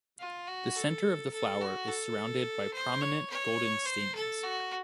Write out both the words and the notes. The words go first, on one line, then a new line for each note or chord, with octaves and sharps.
The center of the flower is surrounded by prominent golden stamens.
F4
F#4
A4
A4
F#4
A4
C5
C#5
C#5
C5
A4
F#4